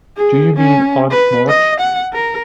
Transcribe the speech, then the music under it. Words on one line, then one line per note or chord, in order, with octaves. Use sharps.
Do you mean Aunt March?
G#4
C#4
B4
D#5
F#5
A#4